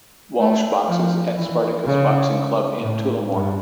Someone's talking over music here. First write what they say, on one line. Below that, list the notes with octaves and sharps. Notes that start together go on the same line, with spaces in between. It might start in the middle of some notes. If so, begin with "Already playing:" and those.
Walsh boxes at Spartacus Boxing Club in Tullamore.
A3
F3
E3
C#3
A2
G2